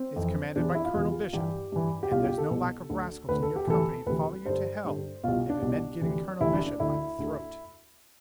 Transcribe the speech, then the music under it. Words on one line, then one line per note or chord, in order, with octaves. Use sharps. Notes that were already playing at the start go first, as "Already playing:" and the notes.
It's commanded by Colonel Bishop, and there's no lack of rascals in your company'd follow you to hell if it meant getting Colonel Bishop by the throat.
Already playing: C4
F2 E3
E2 C3 E3 D4
E4
F4
E2 C3 E3
G2 E3 G4
G2 E3
G4
C2 B2 F4
G4
A4
C2 B2
D2 D3
D2 D3 B4
A4
G4
D2 C3 E3 A4
D2 C3 E3 B4
G2 D3 C5
G2 D3
C2 B2 F4
D4
C2 B2
D2 C3 E3
D2 C3 E3 E4
D4
D4
D2 D3 E4
D2 D3